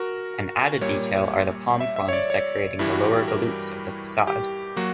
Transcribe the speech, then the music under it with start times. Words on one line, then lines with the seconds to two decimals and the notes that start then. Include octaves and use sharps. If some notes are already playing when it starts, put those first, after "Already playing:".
An added detail are the palm fronds decorating the lower volutes of the facade.
Already playing: F#4 A#4
0.81 A#2 G3 A#3 C#5
1.81 E5
1.96 E5
2.08 C#5
2.13 D5
2.30 C#5
2.79 G2 E3 G3 E4
2.91 F#4
3.04 G4
3.28 A#4
4.27 G4
4.76 F#3 A#3 F#4